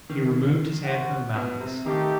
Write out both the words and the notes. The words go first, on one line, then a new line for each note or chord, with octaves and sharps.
He removed his hand from the mouthpiece.
D#3
F#4 C5 F#5
B2
C3
D#3 A3 D#4 G4